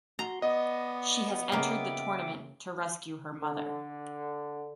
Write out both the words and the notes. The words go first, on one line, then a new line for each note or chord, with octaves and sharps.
She has entered the tournament to rescue her mother.
F#4 A#5 C6
B3 D5 D#5
C#3 A#3 E5 G5 D6
D3